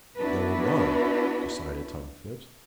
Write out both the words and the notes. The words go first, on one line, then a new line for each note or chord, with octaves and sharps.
"Then we'll run," decided Tom Phipps.
B3 D4 E4 F#4 B4